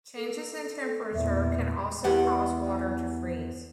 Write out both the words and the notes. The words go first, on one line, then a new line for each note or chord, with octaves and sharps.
Changes in temperature can also cause water to freeze.
A4
E2 A#2 E5
E2 G4 F#5